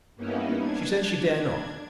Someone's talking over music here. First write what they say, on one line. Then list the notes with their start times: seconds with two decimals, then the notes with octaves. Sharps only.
She says she dared not.
0.16 G2 A#3 B3 C#4 D#4 E4
0.60 D4 G#6